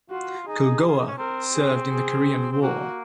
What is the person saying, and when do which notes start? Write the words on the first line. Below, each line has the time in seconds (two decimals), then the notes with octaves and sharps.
"Culgoa" served in the Korean War.
0.10 F4 F#4
0.47 D#4 G#4
0.87 F4
0.98 D#4
1.08 C#4
1.18 C4 A#4
1.54 G#4
1.90 G#4
2.52 C4
2.62 A#3 F#4